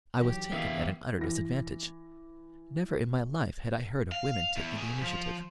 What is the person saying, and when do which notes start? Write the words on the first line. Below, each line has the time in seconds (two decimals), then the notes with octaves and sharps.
I was taken at an utter disadvantage. Never in my life had I heard of women taking the initiative.
0.20 D#3 E3 F#3 G4
0.52 E3 A#3 B3 E5 F5
1.19 E3 A#6
4.12 F5
4.56 E2
4.78 A2 G#4
5.02 F3